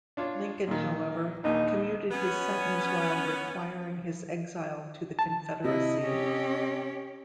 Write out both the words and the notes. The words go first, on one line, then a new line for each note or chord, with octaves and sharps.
Lincoln, however, commuted his sentence while requiring his exile to the Confederacy.
D4 F4 C#5
A#2 D#3
A#1 D#2 D#4
B3 C#4
A5
C3 E4 D#5
C#4 G4